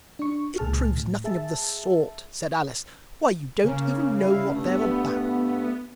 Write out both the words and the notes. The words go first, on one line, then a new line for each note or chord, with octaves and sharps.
'It proves nothing of the sort!' said Alice. 'Why, you don't even know what they're about!'
D4 C#6
C#2 A#2 G#4 A5 F6
A2
G#4 E5 A5
C#3 A#3 C#4
E4 F5
G2 A3
B3